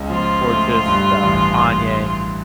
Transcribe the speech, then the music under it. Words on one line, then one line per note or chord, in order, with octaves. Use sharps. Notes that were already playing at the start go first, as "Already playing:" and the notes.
or just, uh, Kanye.
Already playing: C#2 C#3
F3 F4
A3
G2
A1